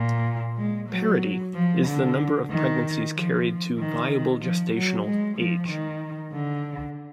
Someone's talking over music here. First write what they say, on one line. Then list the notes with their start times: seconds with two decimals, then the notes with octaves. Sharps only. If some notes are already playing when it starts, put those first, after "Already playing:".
"Parity" is the number of pregnancies carried to viable gestational age.
Already playing: A#2
0.57 G#3
0.89 F#3
1.54 F3
1.86 D3
2.50 D#3
3.13 F3
3.78 D#3
4.41 F3
4.73 F#3
5.05 G#3
5.37 F3
5.69 D#3
6.33 D3